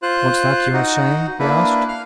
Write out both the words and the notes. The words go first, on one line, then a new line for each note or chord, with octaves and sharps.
"What's that you are saying?" he asked.
F4 C5 F#6
D#4 F#4
A#3 D4 E4 B4
F5 F6